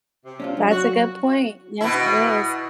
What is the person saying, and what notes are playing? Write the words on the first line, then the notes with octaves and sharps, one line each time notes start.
That's a good point. Yes, it is.
C3
C#4 D4 F4
F#3
F#4
B2 E4